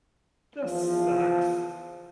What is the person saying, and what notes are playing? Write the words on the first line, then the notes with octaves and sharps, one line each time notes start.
This sucks.
E2 F3